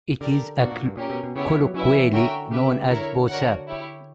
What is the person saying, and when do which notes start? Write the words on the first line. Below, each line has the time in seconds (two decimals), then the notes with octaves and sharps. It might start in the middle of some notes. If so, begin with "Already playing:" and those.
It is colloquially known as BuSab.
0.21 D3 D4 G4 A#4 D5
0.59 B2 A#3 D4 F#4
0.72 A#2
0.85 G2
0.97 A#2 C#4 G4 A#4
1.10 B2
1.23 B2
1.36 C#3 B3 E4 G4 C#5
1.49 D3
1.61 F#3
1.74 F#3 C#4 E4 B4 E5
1.94 E3
2.13 D3 C#4 F#4 A#4 E5 G5
2.51 C#3 G4 B4 E5
2.90 D3 E4 A#4 C#5
3.28 D4 F#4 A#4 C#5 F#5
3.67 E4 G4 C#5